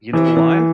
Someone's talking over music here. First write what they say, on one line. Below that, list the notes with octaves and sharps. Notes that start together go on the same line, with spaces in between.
you know why?
E3
E3